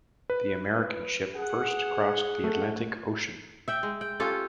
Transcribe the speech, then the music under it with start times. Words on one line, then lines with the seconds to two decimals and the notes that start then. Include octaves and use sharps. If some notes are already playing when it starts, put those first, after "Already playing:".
The American ship first crossed the Atlantic Ocean.
0.30 B4
1.35 G#4 F#5
2.44 A3
3.68 E5 G5
3.83 G#3
4.01 G5
4.20 C#4 F4 G4 A4